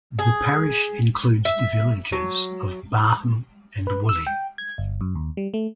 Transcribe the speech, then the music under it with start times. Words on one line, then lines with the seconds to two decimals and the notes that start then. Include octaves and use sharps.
The parish includes the villages of Barham and Woolley.
0.19 G#4
1.45 E5
2.12 F#3
3.87 B4
4.09 E6
4.27 G5
4.58 G#6
4.78 G1
5.01 F#2
5.15 D#2
5.37 G3
5.54 A3